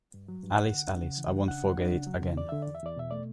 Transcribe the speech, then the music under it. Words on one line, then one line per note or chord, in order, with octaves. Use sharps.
Alice—Alice—I won’t forget it again.
G2
F#3
G2
G2 F#5
D3
D4
C#3
E3
D4
C#3 F#5
F#3
D4
C#3
F#3
C#3
E2 D5
D3 E5
E2 D5
E5
E2 D5
B2 E5
A3 D5